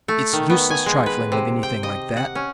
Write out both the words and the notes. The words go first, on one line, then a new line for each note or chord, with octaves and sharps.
It's useless trifling with anything like that.
A3
D#3
B3
G#5
G#3
B4
C3
G5
D#5
F#5
C#4